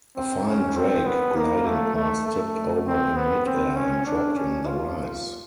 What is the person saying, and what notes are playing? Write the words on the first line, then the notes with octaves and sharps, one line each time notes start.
A fine drake gliding past tipped over in midair and dropped in the rice.
C4
C#4
C4
B3
A#3
A3
A3
A3
C4
B3
C4
C#4
D4
C#4
F4